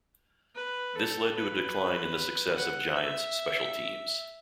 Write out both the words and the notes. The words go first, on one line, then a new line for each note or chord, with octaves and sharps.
This led to a decline in the success of Giants special teams.
B4
A4
B4
F#5
E5